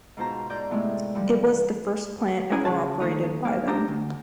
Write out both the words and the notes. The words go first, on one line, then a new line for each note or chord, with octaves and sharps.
It was the first plant ever operated by them.
G#2 B2 F4 C5 A5 A#5
G#2 D5 A#5 D6 G6
A2 C3 G#3 A3 B3 E4
E3 F3 G3
E3 F3
C#4 E4 G#4 A#4 D5 G#5
C#3 F3 G#4 C#5 A5
D#2 A3 D#4
A#3
D4 G4 C5 D#5 E5 A#5
D2